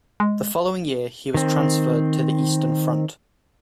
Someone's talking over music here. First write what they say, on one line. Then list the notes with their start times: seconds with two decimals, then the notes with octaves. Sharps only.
The following year, he was transferred to the Eastern Front.
0.20 G#3
1.34 D#3 C4